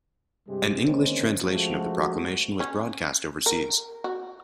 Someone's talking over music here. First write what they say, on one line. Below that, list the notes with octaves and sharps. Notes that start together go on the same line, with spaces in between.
An English translation of the proclamation was broadcast overseas.
G2 C3 G3 G#3 G4
D3 D#3 G#3 A#3 C4 C#4
F#2 F3 G#3 A3 F#4
C#4
A#4
F#4